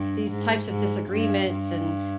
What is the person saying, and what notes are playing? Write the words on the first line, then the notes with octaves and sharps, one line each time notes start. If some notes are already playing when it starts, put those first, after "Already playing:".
these types of disagreements, and
Already playing: G2
G#2
G#2
G2
G2